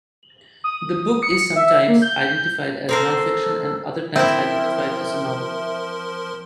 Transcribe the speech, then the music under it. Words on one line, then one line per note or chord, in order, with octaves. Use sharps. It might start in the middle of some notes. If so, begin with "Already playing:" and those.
The book is sometimes identified as nonfiction and other times identified as a novel.
D#6
C#7
E5
A#3
G6
C4 A4 A#4 C5
F3 C4 E4 A#4 E5 C6